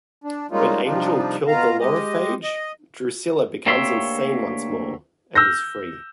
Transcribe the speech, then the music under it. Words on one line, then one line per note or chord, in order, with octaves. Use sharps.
When Angel killed the Lorophage, Drusilla becomes insane once more, and is free.
D4
G3 G#3 A#3 C#4 D#4 F4
C3 F3 G3 D4 D#4 F4
B2 F4 F5 A#5
G#3 G4 D#5
D#5
D2 A#3 G4 C#5 E5 C6
E6 F6 G6 A#6